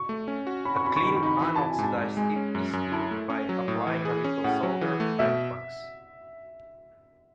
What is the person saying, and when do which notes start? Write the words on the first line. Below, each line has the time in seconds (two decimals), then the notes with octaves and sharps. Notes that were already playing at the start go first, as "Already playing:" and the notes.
A clean unoxidised tip is tinned by applying a little solder and flux.
Already playing: C#6
0.09 A3
0.28 C#4
0.47 F#4
0.65 C#4 B5
0.76 C#6
0.84 C#4 B5
0.96 C#6
1.04 D#3 B5
1.16 C#6
1.23 D#4 B5
1.42 E3 B5
1.56 A5
1.61 E4
1.69 G#5
1.78 G#2 A5
1.97 G#2
2.17 G#3 G#5
2.36 C#4
2.55 F#2
2.73 F#2
2.92 E4 A5
3.11 A3
3.30 C#4
3.49 F#3
3.68 A2
3.87 E3
4.05 G#4
4.24 C#4
4.44 A2 F#5
4.63 F#3
4.81 E3
5.00 A3
5.19 B2 E5